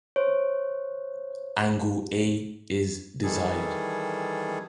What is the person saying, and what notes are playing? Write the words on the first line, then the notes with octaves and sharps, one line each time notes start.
Angle A is desired.
C5 C#5
D#3 E3 G3 G#4 A4